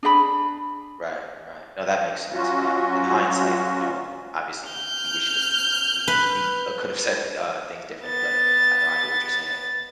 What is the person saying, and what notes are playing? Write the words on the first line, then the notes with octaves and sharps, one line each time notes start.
Right, right. No, that makes sense. Uh, in hindsight, you know, obviously, you we wish c we we we, uh, could have said, uh, things differently, but I know I get what you're saying.
D4 G#4 E5 B5
F#3 C#4 F4 F#4
F6 G6
B4
B3 A6